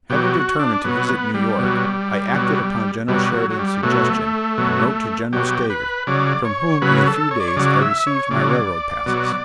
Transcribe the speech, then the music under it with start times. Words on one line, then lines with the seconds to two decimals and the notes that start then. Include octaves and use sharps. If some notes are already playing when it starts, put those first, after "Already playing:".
Having determined to visit New York, I acted upon General Sheridan's suggestion and wrote to General Stager, from whom in a few days I received my railroad passes.
0.10 B2 F#3 G4
0.35 F#4
0.59 D4
0.84 B2 F#3 B3
1.09 B3
1.34 G3
1.59 B2 F#3
2.34 B2 F#3
3.08 B2 F#3 G3
3.33 F#3
3.50 F#3
3.59 G3
3.83 B2 F#3 A3
4.58 B2 F#3
5.33 B2 F#3 G4
5.70 B4
6.07 C#3 F#3 D5
6.45 C#5
6.82 C#3 F#3 B4
7.07 A4
7.31 C#5
7.40 D5
7.48 C#5
7.57 C#3 F#3 D5
7.82 E5
8.07 C#5
8.31 C#3 F#3 D5
9.06 B2 F#3